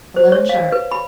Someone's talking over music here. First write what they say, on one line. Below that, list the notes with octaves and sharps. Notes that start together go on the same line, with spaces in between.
"Eleven sharp."
C5
C#5
F5
B4
B5